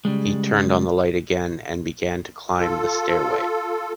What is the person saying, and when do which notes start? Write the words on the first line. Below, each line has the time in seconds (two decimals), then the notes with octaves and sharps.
He turned on the light again and began to climb the stairway.
0.05 C#3 G3 G#3
2.59 F4 A4